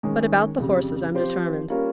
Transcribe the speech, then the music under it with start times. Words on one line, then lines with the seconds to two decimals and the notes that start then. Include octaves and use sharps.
But about the horses I'm determined.
0.03 D#3 G#3 C#4 G#4
0.59 F2 C#3 G3
1.14 F3 C4 G4 C5
1.70 G3 A#3 C#4 F4 A#4